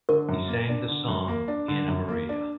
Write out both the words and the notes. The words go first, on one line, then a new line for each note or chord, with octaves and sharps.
He sang the song "Annamaria".
D3 A#4
F#2
A#3
D4
D3
F#2
A#3
D4
D3
F#2
A#3
D4